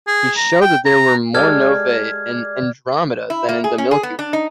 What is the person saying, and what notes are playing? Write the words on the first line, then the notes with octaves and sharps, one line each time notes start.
He showed that there were more novae in Andromeda than in the Milky Way.
G#4
A#5
G5
A#5
G#3 G4 A4 D5 F6 G#6
E4
A#3
G#4
C#4
G#4
B3
D4
D#4